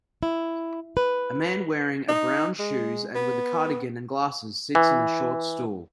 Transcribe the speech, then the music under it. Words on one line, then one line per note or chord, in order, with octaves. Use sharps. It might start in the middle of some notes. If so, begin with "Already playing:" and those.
A man wearing a brown shoes and with a cardigan and glasses sits in a short stool.
E4
B4
D#4
G#3
B3
E3